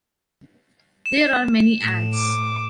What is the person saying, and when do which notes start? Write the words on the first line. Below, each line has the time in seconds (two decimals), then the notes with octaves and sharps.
There are many ads.
1.06 E7
1.80 A2
2.14 D6